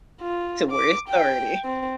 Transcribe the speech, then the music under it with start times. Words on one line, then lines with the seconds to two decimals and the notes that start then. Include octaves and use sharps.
to where it started.
0.21 F4
0.71 D6
1.09 G5
1.65 C4